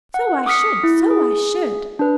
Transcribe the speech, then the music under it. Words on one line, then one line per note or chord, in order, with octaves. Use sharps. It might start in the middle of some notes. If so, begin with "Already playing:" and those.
So I should! so I should!
F#5
D6 D#6 F6 B6 C#7
E4
G#4
D4 B4